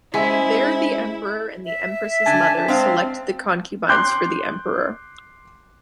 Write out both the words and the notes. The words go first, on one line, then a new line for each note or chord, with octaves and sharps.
There the emperor and the empress’s mother selected the concubines for the emperor.
G#3 C#4 E4 G#4 C5 E5 G#5 B6
E5
D3 D4 G#5 A5
G#3 C4 D4 F5
C6 D6 F#6 G6